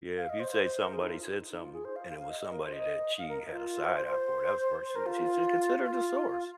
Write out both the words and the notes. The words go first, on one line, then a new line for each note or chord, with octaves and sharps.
yeah, if you'd say somebody said something and it was somebody that she had a side eye for, that was the first uh, she said, "Consider the source,
F5
D#5
C5
C5
A#4
G#4
D#4
F4
D#4
F4
G#4
C5
F5
F5
F5
D#5
D#5
A#4
C5
D#5
F5
A#4
F4
C5
C5
C5
C5
A#4
F4
F4